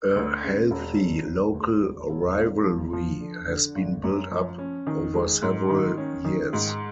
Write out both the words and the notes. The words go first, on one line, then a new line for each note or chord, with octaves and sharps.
A healthy local rivalry has been built up over several years.
D2
C#3
E1
E1
E1
D2
E1
E1
G#1
F3
F3
D3
D3
G#1
F#2
F3
C#4
D#3
G#3
G#2
D#3
C#4
D#3
G#2